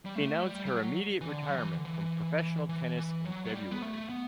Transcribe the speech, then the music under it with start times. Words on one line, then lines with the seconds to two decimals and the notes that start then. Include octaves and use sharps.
She announced her immediate retirement from professional tennis in February.
0.05 G3
0.16 A3
0.44 G3
0.65 G3
0.72 F#3
1.21 E3
1.28 D3
1.49 F#3
1.56 E3
1.76 D3
1.85 E3
2.69 E3
2.97 E3
3.25 F#3
3.45 F#3
3.53 G3
3.71 B3
3.82 A3
4.09 B3